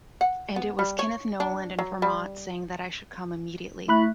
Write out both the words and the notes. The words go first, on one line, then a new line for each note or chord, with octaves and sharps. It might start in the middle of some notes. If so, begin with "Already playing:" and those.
And it was Kenneth Noland in Vermont saying that I should come immediately.
F#5
B3
G3
C#5
D4
F#3
G3
A3 E4 B5 F#6